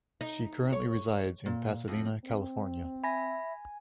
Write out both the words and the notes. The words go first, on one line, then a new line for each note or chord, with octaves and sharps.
She currently resides in Pasadena, California.
D#4
C#5
A#2
F2
C4
E5 G#5 B5 A#6